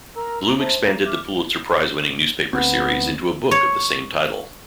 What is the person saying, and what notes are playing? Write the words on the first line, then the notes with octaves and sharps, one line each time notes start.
Blum expanded the Pulitzer Prize-winning newspaper series into a book of the same title.
A#4 A#5 E6
A#5
D#4 C5 E5 A5
A#5
E5 D6 F6
D2 B3 C4
C#5